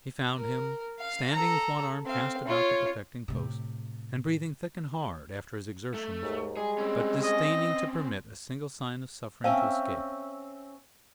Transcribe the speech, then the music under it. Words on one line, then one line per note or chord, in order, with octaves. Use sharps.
He found him, standing with one arm cast about the protecting post, and breathing thick and hard, after his exertions, but disdaining to permit a single sign of suffering to escape.
A#4
F5
A4 A#5
C4 F5
F4 C#5
A2 C3
A3
D#2 G#2
G3 G#3 G#4
C4 C#4
D#5
C4 C#4 E5 F5 A5